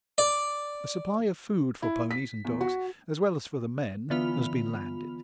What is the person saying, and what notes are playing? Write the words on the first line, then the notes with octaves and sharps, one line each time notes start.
A supply of food for ponies and dogs as well as for the men has been landed.
D5
E4
B6
E2
F#4
D3 E3 B3 F4 B5 F7